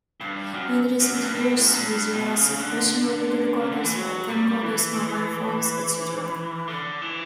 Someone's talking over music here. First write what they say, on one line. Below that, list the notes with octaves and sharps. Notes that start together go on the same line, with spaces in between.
In recent years with the rise of personal video recorders like camcorders, mobile phones,etc.
G2
F#2
F#2
F#2
G2
G2
A2
A2
F#2
G2
G2
B2
C#3
D3
C#3
D3
E3
F#3
G3
E3
D3
E3